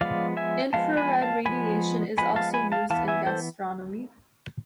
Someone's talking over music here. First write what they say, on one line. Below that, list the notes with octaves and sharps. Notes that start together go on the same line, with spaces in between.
Infrared radiation is also used in gastronomy.
F3 G#3 B3 D5 F5
E5 G#5
F3 G#3 B3 F5 A5
G#5 B5
F5 A5
F3 G#3 B3 G#5 B5
F3 G#3 B3 G#5 B5
F5 A5
G#5 B5
F5 A5
E3 B3 F5 A5
E5 G#5
A4 C5